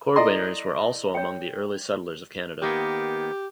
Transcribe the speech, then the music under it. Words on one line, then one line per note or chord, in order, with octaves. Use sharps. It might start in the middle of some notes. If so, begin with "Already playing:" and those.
Cordwainers were also among the early settlers of Canada.
E4 A4 D5 D#5 A#5 C6
C#5 G5
D#3 A#3 B3 G4